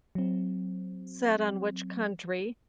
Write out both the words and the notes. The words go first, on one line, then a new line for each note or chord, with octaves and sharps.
set on which country,
F#3 C4